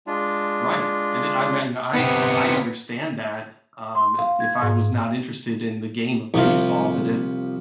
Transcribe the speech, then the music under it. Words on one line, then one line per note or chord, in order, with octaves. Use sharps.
right, and I mean, I I understand that, um, i if I was not interested in the game of baseball, that it
G#3 D4 F4
C3 B3
C6
F5
G#6
G#2
C2 C3 F3 F4